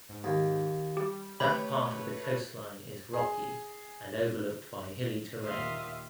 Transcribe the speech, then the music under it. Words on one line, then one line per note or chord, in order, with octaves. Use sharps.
That part of the coastline is rocky and overlooked by hilly terrain.
G#2
D#2
G3 G4
A3 G4 B4 C#5 B5
G#4
D#2 A#2 E5 F5 C6 D#6